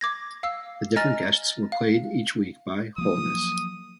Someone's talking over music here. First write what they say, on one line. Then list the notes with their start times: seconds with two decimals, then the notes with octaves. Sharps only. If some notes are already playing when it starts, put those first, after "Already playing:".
The different guests were played each week by Holness.
0.01 D6 G#6 A#6
0.43 F5 E6 C7
0.96 D#5 G#5 A#5 F6 A6
1.72 F5
2.98 F3 F#3 A#3 D#6